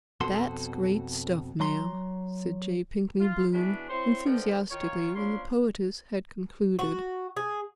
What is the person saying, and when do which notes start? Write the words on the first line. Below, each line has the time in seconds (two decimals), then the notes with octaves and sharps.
"That's great stuff, ma'am," said J. Pinkney Bloom, enthusiastically, when the poetess had concluded.
0.21 F2 B2 F#4 A4 C6
1.60 F#3 A#5 C6
3.20 F4
3.53 B2 E3 D4 G#4 B4
3.89 C4 E4 C5 C#5 C6
4.26 D3 D#3 F3 B3 D#5 G5
4.71 D#3 F4 C#5
5.15 A#2 F3 C#4 D4 B5 C6
6.79 F#4
7.37 G#4